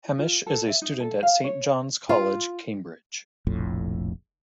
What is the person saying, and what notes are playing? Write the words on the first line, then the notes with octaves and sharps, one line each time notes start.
Hamish is a student at Saint John's College, Cambridge.
F4
A4
E5
D#4
A4
F5
C#5
F4
F1 A#1 F2 A2